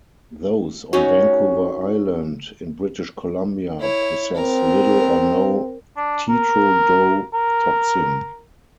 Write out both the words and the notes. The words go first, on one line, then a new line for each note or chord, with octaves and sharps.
Those on Vancouver Island, in British Columbia, possess little or no tetrodotoxin.
C#4 D#4 F#4
E4 C#5
C4 A#4
D4
A#4
A#4